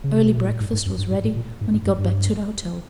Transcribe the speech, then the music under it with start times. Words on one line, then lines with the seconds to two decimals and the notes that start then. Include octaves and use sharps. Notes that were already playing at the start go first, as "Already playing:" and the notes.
Early breakfast was ready when he got back to the hotel.
0.04 C#3
0.14 C3
0.26 B2
0.37 A#2
0.47 A2
0.60 G#2
0.73 G#2
0.86 F#2
0.98 G2
1.11 G#2
1.24 A2
1.36 A#2
1.61 G#2
1.73 G#2
1.86 G2
1.98 G2